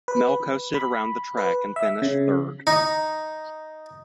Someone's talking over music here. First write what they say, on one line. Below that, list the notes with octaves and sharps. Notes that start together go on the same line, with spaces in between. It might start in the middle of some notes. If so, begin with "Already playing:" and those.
Mel coasted around the track and finished third.
B4
B5
B4
E5
C#3
D#4